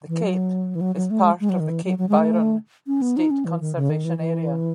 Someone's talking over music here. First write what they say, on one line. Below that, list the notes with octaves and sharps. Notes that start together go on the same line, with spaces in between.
The Cape is part of the Cape Byron State Conservation Area.
E3
F#3
E3
F#3
F#3
A3
G#3
G#3
F#3
D#3
E3
F#3
F#3
G#3
A3
C#4
B3
D#4
C#4
E3
D#3
C#3
D#3
E3
E3